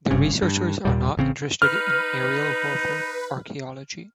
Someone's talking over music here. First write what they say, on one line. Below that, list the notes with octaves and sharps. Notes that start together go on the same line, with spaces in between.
The researchers are not interested in aerial warfare archeology.
F#1 G2 C#3
G2
D#2 A#2 G3
A1 C#3 C4
D#4 B4 F6